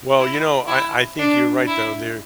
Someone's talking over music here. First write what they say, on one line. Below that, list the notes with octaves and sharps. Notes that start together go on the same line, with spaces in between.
Well, you know, I I think you're right though, there
E4
E4
D4
E4